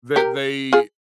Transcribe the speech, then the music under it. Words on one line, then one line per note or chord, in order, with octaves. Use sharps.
that they
G4 A#4
F4 G#4